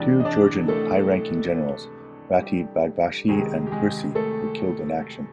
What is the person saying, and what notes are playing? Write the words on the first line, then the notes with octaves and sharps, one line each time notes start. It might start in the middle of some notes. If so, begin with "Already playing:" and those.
Two Georgian high-ranking generals, Rati Baghvashi and Khursi were killed in action.
Already playing: C#2 C3 E3 G#3 D4 D5
D#5
D4 D5
A3 A4
G3 G4
C#2 C3 D#3 G#3 G#4
G4
G#3 G#4
A3 A4